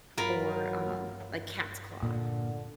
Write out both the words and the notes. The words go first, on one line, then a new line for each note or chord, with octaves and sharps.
or, um, like, cat's claw,
G2 F#3 F4 A#4 B5
A#2 D3